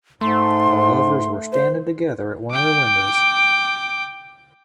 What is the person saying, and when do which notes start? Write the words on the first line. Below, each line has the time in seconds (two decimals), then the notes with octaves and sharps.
The lovers were standing together at one of the windows.
0.21 G#2 A3 C6
1.52 C5
2.51 G5 D6